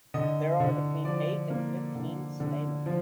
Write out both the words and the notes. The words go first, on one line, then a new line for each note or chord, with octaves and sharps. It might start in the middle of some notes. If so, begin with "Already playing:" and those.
There are between eight and fifteen stamens.
D3 D#5
D3
F3 D5
A#3
D3
D3
F3